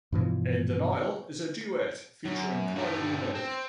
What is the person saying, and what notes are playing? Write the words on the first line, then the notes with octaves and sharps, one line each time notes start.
"In Denial" is a duet featuring Kylie Minogue.
G2 B2 E3 F3
F#2
G2 A3
C4